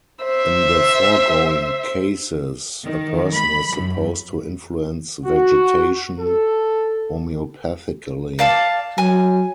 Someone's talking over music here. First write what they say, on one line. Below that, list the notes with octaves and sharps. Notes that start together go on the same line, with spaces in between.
In the foregoing cases a person is supposed to influence vegetation homeopathically.
C5 E5
D#3
B5
F#2
F#4
A4
D5 F5 A5
F#3 G#5